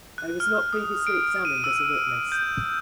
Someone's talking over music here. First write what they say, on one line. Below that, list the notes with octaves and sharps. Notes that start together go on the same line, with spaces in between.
I was not previously examined as a witness.
F#6
F6
D#6
D7
D#7
E6
G6